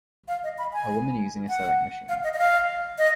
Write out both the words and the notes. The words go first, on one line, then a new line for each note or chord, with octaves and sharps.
A woman using a sewing machine.
F5
D#5
B5
G#5
F#5
F5
D#5
D#5
F5
D#5